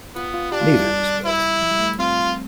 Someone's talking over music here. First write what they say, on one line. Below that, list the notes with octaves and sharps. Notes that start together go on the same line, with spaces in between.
Neither was built.
B3 F4
F4
D4 G4
F4
E4
G3
E4
F3
G3
A3
C4 F4